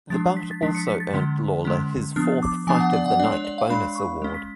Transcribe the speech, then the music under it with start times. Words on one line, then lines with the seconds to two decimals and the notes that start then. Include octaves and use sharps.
The bout also earned Lawler his fourth "Fight of the Night" bonus award.
0.10 F3 G#3 D4 A6
0.37 B6
0.51 A6
0.62 F3 G#3 D4 B6
0.75 C#7
0.88 B6
1.00 A6
1.13 D3 G#3 C#4
1.65 D3 G#3 C#4
2.16 F3 B3 D4 F6
2.43 D6
2.67 F3 B3 D4 G#5
2.80 F#5
2.93 D5
3.06 F#5
3.19 D4 D5
3.24 G#3
3.32 C#5
3.45 D5
3.58 F5
3.70 G#3 D4 B5
3.96 C#6
4.22 G#3 C#4
4.34 B6